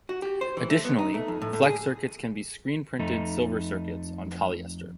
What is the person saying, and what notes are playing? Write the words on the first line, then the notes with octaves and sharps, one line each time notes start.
Additionally, flex circuits can be screen printed silver circuits on polyester.
F#4
G4
C5
E3
A3
B3
D#4
A3
F2
A2
A2
G#4
F2 A3 D#4